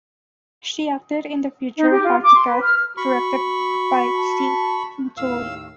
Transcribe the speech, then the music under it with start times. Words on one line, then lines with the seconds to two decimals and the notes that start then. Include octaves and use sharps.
She acted in the feature "Hard To Get" directed by Zee Ntuli.
1.77 D#4
1.90 G4
2.04 F4
2.22 D6
2.34 C6
2.47 B4
2.61 F6
2.97 F#4 B5 C#6
4.15 A5
5.17 D#2 A2 F5 E6